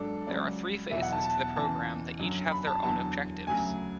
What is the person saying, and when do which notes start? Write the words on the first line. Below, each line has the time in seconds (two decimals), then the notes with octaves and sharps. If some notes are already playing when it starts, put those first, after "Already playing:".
There are three phases to the program that each have their own objectives.
Already playing: G#2 F#3 D4 A4
0.27 C#2 C#3 F#3 D5
0.91 E2 B2 F#3 E5
1.02 F#5
1.12 A5
1.24 A5
1.56 E2 C#3 E3 A5
2.19 F#2 D3 F#3
2.52 B5
2.67 A5
2.83 E2 D3 F#3 A5
3.47 D2 C#3 F#3 G#5